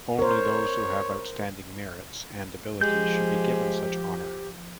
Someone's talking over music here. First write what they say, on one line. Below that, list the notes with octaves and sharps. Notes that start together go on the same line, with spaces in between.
Only those who have outstanding merits and abilities should be given such honor.
A#4 C5 C#5
F3 G#3 G4 G6